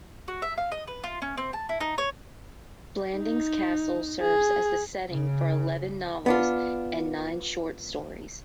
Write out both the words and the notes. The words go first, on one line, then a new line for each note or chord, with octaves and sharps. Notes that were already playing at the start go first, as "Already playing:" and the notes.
Blandings Castle serves as the setting for eleven novels and nine short stories.
F#4
E5
F5
D#5
B4
F4
C#4
C4
A5
E4
D#4
C#5
D#4
G#4
C#3
B3 D4 F4